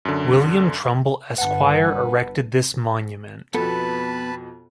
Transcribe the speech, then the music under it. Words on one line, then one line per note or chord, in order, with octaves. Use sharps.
William Trumbell Esquire erected this monument.
F#2 D3
G1 B4 F#5 A5
F2 B2 B3 A4 B4 A5 B5